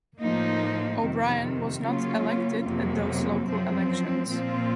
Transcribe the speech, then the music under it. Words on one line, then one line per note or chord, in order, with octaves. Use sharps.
O'Brien was not elected at those local elections.
A2 F3 A#3 D#4
F2 C3 D#3
C#3 F#3 A#3 C#4 F4
F2 C3 F#3 A#3
F#2 F3 C4
A#2 F3 C4 F4